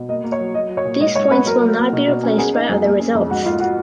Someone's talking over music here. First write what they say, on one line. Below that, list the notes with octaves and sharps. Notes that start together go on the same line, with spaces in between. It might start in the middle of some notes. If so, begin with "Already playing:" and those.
These points will not be replaced by other results.
Already playing: B2
A#3 D#5
A#3
C#5
F#3
F#3 D#5
F#3
C#5
A#2
G#2 D#5
G#2 C#5
B3 B4
F#3 A#4
F#3
A#3
B2
B2
C#4
B3 G#4
D#4
F#2
A#3
C#4
F2
G#2 F#4
G#2 F4
F#4